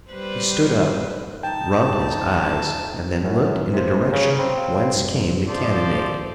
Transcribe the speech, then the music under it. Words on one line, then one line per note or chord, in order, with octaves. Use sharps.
He stood up, rubbed his eyes and then looked in the direction whence came the cannonade.
G3 B4 C5
D#4 G5 A5
F#2 F#3 G#3 E4
G#1 C3 A#3 C6
C#3
C4 A#5 B5
C#5 F5
F#2 G3
C3 F3 A4 C5 D5